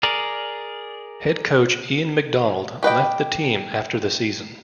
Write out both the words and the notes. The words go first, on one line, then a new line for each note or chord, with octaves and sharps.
Head coach Ian MacDonald left the team after the season.
G#4 A#4 D5
G4 B4 D#5 G5